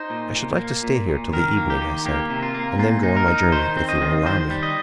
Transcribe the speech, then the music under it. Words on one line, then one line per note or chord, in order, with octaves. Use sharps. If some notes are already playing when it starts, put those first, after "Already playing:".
"I should like to stay here till the evening," I said; "and then go on my journey, if you will allow me."
Already playing: D#4 C5
A#2
A#2
A#3
A#2
A#2
D#3 A#4
A#3
G4
D#3
A#3 G4
C3
F4
A#3
A#2 F4
D#4
A#4
D#4
D#3 C5
C4
D#5
D#3
D#3 C5
G3
D#5